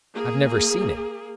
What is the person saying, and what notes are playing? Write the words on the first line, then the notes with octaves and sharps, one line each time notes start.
I've never seen it.
A#3 G#4